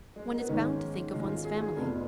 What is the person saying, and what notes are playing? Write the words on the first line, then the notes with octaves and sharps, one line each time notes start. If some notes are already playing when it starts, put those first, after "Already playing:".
One is bound to think of one's family.
G#3
A#3
B3
G#2 D#3 G#3 C#4
G#2 D#3 G#3 F4
F4
G#4
G#4
F1 F2 F3 B3 F4